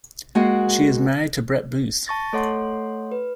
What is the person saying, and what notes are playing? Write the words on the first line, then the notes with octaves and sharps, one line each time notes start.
She is married to Brett Booth.
G#3 A#3 F#4 G#4 F#5 G5
A5 C#6 A6 A#6
A3 A4 C#5 F#5 C6
B4